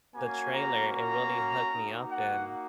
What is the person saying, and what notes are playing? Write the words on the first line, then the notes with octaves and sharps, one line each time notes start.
the trailer, it really hooked me up, and
A#3 C#4 F#4 G#5
A#5
A#5
A#3 D#4 F#4
F#5